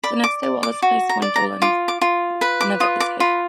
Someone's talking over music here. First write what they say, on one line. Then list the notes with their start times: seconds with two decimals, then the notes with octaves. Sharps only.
The next day, Wallace pays Wendolene another visit.
0.04 D5 B5
0.24 D6
0.43 D5
0.63 D6
0.82 F#4
1.09 A#5
1.22 D5
1.36 A#5
1.62 F4 D6
1.88 D6
2.01 F4
2.41 B4 B5
2.61 D6
2.80 F4 D#6
3.00 D6
3.20 F4 B5